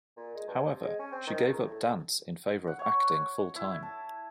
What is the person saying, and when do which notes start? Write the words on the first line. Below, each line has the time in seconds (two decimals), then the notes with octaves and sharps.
However, she gave up dance in favor of acting full-time.
0.17 A#2
0.35 G#3
0.48 G2
0.67 C3
0.83 G#3
0.99 C#4
1.12 C4
1.27 D#3
1.50 C#2
1.66 A2
2.67 F#5
2.79 C#5
3.56 E4
3.83 A5